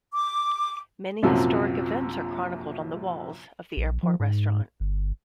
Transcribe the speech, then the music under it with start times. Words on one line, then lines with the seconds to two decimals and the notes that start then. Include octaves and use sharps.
Many historic events are chronicled on the walls of the airport restaurant.
0.13 D6
1.23 A#1 F#2 C3 F3 F#3
3.77 A#1
4.03 F3
4.20 G#2
4.80 G1